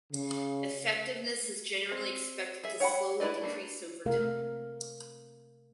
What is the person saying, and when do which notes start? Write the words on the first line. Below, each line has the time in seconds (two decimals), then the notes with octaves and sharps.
Effectiveness is generally expected to slowly decrease over time.
0.12 C#3
1.91 C4
2.63 G#4 E5
2.80 C#5 F#5 G5 A#5 B5
3.20 E4 F4 B4 D5 D#5
3.41 A3 A#3 D4
4.06 C3 A3 A#4 F5